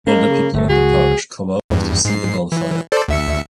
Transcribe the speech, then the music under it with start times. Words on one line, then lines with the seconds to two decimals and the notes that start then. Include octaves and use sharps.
All the people of the parish come out to see the bonfire.
0.07 G#3 A#3 C#4
0.26 C#3
0.54 G1 A#2 A3
0.69 C#2 F#4 G#4
1.70 E2 G2
2.05 G#2 C7
2.52 E3
2.92 A4 C5 D5
3.08 D2 E5 C#7